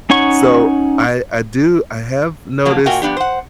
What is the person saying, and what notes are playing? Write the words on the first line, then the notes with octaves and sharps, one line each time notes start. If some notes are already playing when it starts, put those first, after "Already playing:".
so I I do I have noticed
C#4 D#4 C#5 F#5 C#6
F3 F#3 A#3
A#2 F#4 A#4 E5 G5 G#5
F3 B3 D4 G4
C5 F#5